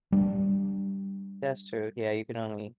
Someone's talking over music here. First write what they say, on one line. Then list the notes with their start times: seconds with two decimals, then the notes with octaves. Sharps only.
That's true, yeah, you can only
0.12 G3 D4